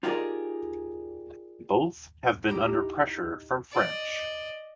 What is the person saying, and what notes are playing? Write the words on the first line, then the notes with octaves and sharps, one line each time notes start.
Both have been under pressure from French.
D#4 F4 G4 G#4 A#4 D5
D#4 E4 G4
D5 D#5